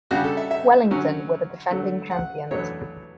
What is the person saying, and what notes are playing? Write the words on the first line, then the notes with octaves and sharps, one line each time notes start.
Wellington were the defending champions.
C#3 G3 D4 F#4
A4
E5
E5
D3 F#3 C#4
D3 F#3 A3
F#5
E2 B2 F#3 A3 D4 C#5